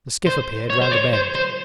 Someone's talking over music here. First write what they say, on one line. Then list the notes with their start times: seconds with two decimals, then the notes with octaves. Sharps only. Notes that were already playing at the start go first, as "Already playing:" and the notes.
The skiff appeared round a bend.
0.27 C5
0.70 C#5
0.82 C5
0.91 C#5
1.13 C5
1.35 C5